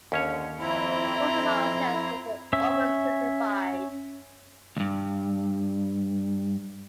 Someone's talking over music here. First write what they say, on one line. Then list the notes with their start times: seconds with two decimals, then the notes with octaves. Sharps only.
For some objects, this is over-simplified.
0.12 D#2 D3 C#4 C#5
0.59 F2 C4 E4 A#5
2.53 C#4 E5
4.77 D2 G2